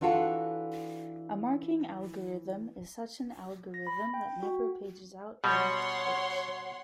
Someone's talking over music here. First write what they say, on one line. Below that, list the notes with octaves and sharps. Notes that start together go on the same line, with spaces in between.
A marking algorithm is such an algorithm that never pages out a marked page.
E3 D4 F4 F#4 A4
A#6
B5
G5
F#4
B2 G3 C#5 F#5 C6